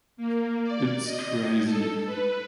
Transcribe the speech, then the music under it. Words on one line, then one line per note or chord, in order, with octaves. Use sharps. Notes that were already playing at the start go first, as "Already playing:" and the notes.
It’s crazy.
A#3
D5
D#5
A4
B4